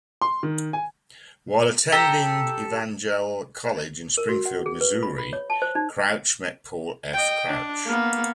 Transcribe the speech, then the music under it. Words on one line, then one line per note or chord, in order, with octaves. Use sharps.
While attending Evangel College in Springfield, Missouri, Crouch met Paul F. Crouch.
C6
D#3
G#5
G4 A4 A#5
A#4
F#4
F#5
G#4
B4
B5
B5
C#5
A5
C5
D#4
D#5 G5
D4
A#3 B3